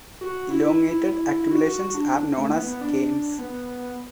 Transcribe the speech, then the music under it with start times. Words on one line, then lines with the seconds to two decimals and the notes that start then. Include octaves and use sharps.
Elongated accumulations are known as kames.
0.21 F#4
0.50 E4
1.08 E4
1.22 E4
1.37 E4
1.51 F#4
1.66 F#4
1.95 D4
2.38 A3
2.52 B3
2.67 B3
2.81 D4
3.39 B3